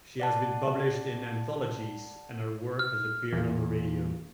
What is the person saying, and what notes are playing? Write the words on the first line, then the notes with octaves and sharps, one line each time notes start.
She has been published in anthologies and her work has appeared on the radio.
D5 F#5 A5
F6
E2 A#2